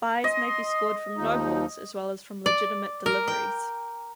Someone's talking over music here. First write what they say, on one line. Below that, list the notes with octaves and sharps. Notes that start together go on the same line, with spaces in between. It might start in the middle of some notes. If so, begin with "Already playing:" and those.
Byes may be scored from no balls as well as from legitimate deliveries.
D#5 C6
D#2 F3 D#4
D5
A#4
G5